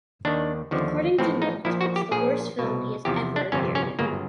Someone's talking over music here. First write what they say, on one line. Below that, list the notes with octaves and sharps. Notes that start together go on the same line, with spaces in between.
According to Nolte, it's the worst film he has ever appeared in.
D#2 D#3 D4
D#2 D3 F3
A1 A2 F3 C4
D#4
A#1 A#2 F3 E4
F#4
G4
A#1 A#2 F3 G#4
C2 B2
E2 C3 F3 G4
D4
G1 F2 C3 C#4
C#4
G1 F#2 C#3 A#3